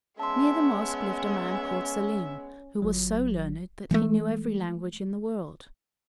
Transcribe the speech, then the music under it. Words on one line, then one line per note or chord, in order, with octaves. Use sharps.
Near the mosque lived a man called Selim, who was so learned that he knew every language in the world.
G#3 B3 C#4 E5 A5 C6
G1 F#3
E3 G#3 A3